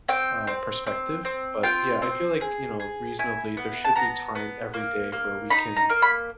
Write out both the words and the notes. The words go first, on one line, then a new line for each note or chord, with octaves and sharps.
uh, perspective, but yeah, I feel like, you know, reasonably there should be time every day where we can
C4 G5
C4
C4
C4
F4 G5
C4
G#4
G#4
E4 G#5
B3
A5
B3 A#5
B3
A#3
A#3
D#4 B5
A#5
A#3
B5